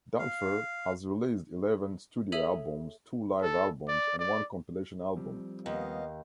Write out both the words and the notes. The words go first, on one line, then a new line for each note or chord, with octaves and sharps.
Dulfer has released eleven studio albums, two live albums, and one compilation album.
F5
G#4 A4 C#5 E5 D#7 F#7
A4
D5
D5
F3 G3 C4
D#2 B3 D#5 F5